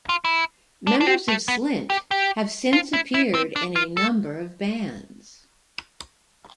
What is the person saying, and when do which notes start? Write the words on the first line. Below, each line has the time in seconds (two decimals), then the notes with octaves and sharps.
Members of Slint have since appeared in a number of bands.
0.09 F4
0.25 E4
0.87 D4
1.01 D4
1.07 C4
1.28 A3
1.48 B3
1.90 G4
2.11 G4
2.73 F4
2.93 E4
3.14 E4
3.34 C4
3.56 D4
3.76 F4
3.97 A4